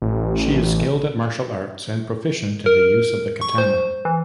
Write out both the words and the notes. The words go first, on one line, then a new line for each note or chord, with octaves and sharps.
She is skilled at martial arts and proficient in the use of the katana.
A1
A#4
C#6
C5
E3